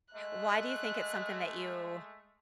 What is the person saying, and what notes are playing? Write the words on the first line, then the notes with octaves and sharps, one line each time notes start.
Why do you think it's something that you
G#3 A3 D#5 F#6